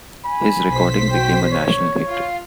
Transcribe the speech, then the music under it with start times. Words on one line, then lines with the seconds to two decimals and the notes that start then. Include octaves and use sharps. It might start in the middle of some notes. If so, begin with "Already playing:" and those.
His recording became a national hit.
0.25 G#5 B5
0.69 B1 C5 B6
1.12 F#4 G5
1.52 C#5 C#6
2.09 F4 F5